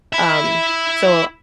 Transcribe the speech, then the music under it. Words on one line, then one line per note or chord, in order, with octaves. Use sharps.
Um, so I
E4 E5